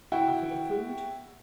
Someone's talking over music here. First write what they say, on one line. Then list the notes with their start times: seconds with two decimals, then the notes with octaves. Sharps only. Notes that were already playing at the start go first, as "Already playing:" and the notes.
And for the food!
0.12 E4 F#4 G5